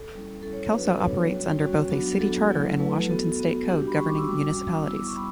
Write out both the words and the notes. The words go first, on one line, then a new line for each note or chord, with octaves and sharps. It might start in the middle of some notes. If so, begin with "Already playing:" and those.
Kelso operates under both a city charter and Washington state code governing municipalities.
Already playing: A4
G3 C#4 E4
G3 C#4 E4 A4
C#5
C#5
F#3 B3 D4 F#4 B4
A4
F#3 B3 D4 F#4 C#5
G3 C#4 F#4
G3 C#4 F#4
F#3 B3 D4 F#4
F#3 B3 D4 F#4 A4
F#3 A3 E4
F#3 A3 E4 B4
B3 F#4 A4
B3 F#4
G3 D4 F#4 G4
B5
G3 D4 F#4 C#6
D6
E6
G3 C#4 F#4 D6
G3 C#4 F#4
G3 B3 E4 E6
D6
C#6
G3 B5